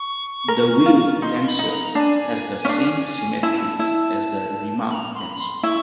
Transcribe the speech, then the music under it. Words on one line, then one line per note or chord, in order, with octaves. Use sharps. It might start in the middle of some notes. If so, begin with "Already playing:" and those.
The Weyl tensor has the same symmetries as the Riemann tensor.
Already playing: C#6
A#4
F4
D#4 C6
B5
D#4
A#5
D4 G#5 A5
C#4
D4
E4 A5
E4
B5
A#5
C6
B5
C6
E4 C#6